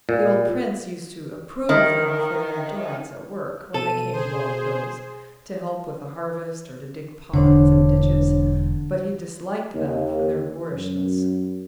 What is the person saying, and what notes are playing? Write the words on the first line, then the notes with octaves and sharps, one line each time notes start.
The old prince used to approve of them for their endurance at work when they came to Bald Hills to help with the harvest or to dig ponds, and ditches, but he disliked them for their boorishness.
A#2
D#3
B2 A4 D#7
G#4 C5
E1 D3 D4 C5 C#5
D#2
F#2